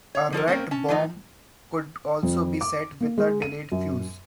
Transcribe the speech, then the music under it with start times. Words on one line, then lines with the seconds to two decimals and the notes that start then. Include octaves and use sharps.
A rat bomb could also be set with a delayed fuse.
0.15 C#5
0.33 F3 F4 A4 A#4
0.47 A#3 C4 C#4 A#4
0.71 C#4 A5
0.88 E3 F3 A3 D#4
2.23 F2
2.61 D6
3.01 A#3
3.18 G#3
3.42 D#7
3.72 F#2